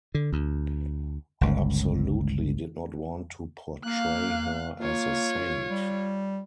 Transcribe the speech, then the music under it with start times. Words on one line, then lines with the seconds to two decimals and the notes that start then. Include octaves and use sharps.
I absolutely did not want to portray her as a saint.
0.15 D3
0.33 D2
1.41 G1 C#2
3.84 A#3 F5 F#6
4.80 A#3 F4 C#5
5.70 G3